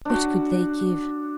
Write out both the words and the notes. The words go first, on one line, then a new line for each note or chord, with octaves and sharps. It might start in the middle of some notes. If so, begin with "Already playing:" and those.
What could they give?
D4 F#4